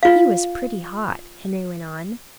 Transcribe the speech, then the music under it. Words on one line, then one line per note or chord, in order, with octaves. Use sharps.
"He was pretty hot," Henry went on.
F4 F5